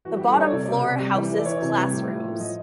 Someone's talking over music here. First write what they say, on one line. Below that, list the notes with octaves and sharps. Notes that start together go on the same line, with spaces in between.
The bottom floor houses classrooms.
E3 F#4
G3 G4
A4
G3 C#5
C3 D5
C3
C3
G3
E3
E3
D5
E3 C#5
C3
G3
A2
F3
F3
F3 D#5